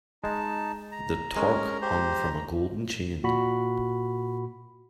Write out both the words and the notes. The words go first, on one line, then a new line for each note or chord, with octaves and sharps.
The torque hung from a golden chain.
G#3 D#4 A5
A#5
G#3 C#4 A#4
G4 C5
A#2 F#4 B5